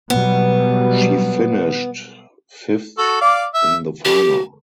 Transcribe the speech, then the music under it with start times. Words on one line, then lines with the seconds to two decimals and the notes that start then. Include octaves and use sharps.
She finished fifth in the final.
0.10 B2 F#3 G3 B3
2.98 F#4 A4
3.21 D5 F5 D6
3.54 E5
4.05 G4